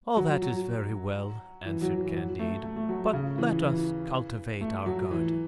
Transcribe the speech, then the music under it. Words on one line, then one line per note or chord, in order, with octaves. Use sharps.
"All that is very well," answered Candide, "but let us cultivate our garden."
F#3
F#3
E3
F#3
E3
F#3
A3
A3
A3
F#3
C#3
E3
E3
A3
F#3
E3